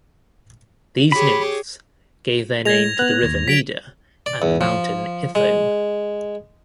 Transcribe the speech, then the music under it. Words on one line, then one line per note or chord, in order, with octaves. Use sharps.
These nymphs gave their name to the river Neda and mountain Ithome.
G4 G#4 C#5 B5
G#3 G#6 A#6 F7
B3 F#6
D#2
F#3 B6 D7 F7
D5
E2
F3
G#3